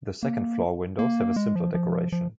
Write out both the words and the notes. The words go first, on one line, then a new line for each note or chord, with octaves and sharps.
The second-floor windows have a simpler decoration.
A#3
A#3
G#3
F3
F3
F3